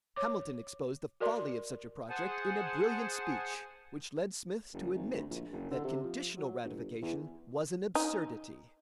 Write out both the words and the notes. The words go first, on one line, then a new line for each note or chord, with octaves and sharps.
Hamilton exposed the folly of such a project in a brilliant speech, which led Smith to admit that conditional ratification was an absurdity.
C#5 D6
F#4 A#4 D5 D#5 C6
G#4 C5 F#5 G#5 A5
F#1
G#1
D2
A#1
F#1
D3
C3
F3
F#3
G1
E2
D#4